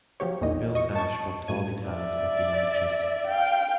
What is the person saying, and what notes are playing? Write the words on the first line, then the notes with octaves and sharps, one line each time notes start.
Bill Ash booked all the talent and the matches.
F3 F#3 G4 C#5
A#1 E2 A#2 D#3 D#5
D#5 C#6
A5 C#6
F#2 A2 G#6 D#7
D5 E5
F5 G5